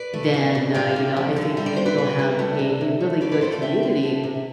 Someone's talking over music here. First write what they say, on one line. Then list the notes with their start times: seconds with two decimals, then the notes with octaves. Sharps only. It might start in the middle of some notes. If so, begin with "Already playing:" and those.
then, uh, you know, I think you, you'll have a a really good community
Already playing: B4 D5
0.14 A3
0.34 B2
0.55 B2
0.74 D3 D5 F5
0.96 D3
1.16 F3
1.36 D3
1.57 G3 E5
1.66 D5
1.76 G3 C5
1.86 B4 D5
1.98 G3
2.19 G3
2.39 A3
2.59 C3
2.81 C3
3.00 A3
3.21 A3 B4 D5
3.31 B4 D5
3.41 A3 A4 C5
3.52 D5 F5
3.62 D3 E5 G5
3.83 D3
4.03 F3
4.24 C3